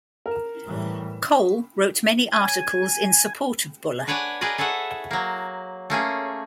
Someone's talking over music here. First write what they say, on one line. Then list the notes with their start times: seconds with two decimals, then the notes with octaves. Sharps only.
Cole wrote many articles in support of Buller.
0.26 A#4
0.67 A2 E3 G3
2.32 G#5
4.07 D4 B4 C#5 D5 F#5 G#5
4.41 G#4 A#4 B4 D5 D#5
4.58 G#4 A4 C#5 E5 F#5
5.11 F#3 A#3
5.90 A3 A#3 C#4 G#4